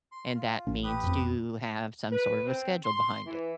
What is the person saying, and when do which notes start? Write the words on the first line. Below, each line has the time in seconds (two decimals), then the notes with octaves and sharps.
and that means to have some sort of a schedule behind it.
0.12 C6
0.34 F4
0.67 A1 C#4
0.83 G4 B4 D#6
1.04 F2 C4
2.11 B4
2.46 C4
2.84 C6
3.25 E3